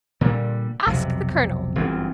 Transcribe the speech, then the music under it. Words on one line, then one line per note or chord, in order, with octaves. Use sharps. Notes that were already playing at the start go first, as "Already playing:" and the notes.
"Ask the Colonel."
A#2 D3 G3
B1 F2 C3
G1 F#2 E3 C4